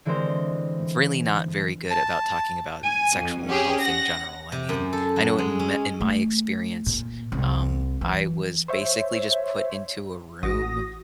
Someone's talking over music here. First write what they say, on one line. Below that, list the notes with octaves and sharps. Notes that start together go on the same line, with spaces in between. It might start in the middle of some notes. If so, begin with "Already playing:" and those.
really not very good about talking about sexual health in general, I mean, I know in me in my experience, um, I was basically just put into a room,
D3 E3 G#3 C4 A#4 C5
A5
G#5
F2
C#4 G4 G#4
F#5 A#6
C3
F#2
A4
F#3
G#3
C#4
A3
A#2
C2
E3
C5 C#5 E5
A1 F#4 D#6 A#6